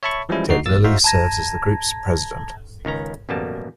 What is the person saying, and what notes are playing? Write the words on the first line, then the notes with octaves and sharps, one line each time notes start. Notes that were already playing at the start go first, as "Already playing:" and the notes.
Ted Lillie serves as the group's president.
C#5 E5 A5 B5 C#6
E3 F3 G3 G#3 C#4 E4
D2 D3 D#4 F#4 C7
A1 A#3 E6 A6
D#4 F#4 C5 E5 F5
A5 A#5 G#6 A#6
C#2 D#3 C#4 A#5
A1 F#2 B2 G3 A#3 A5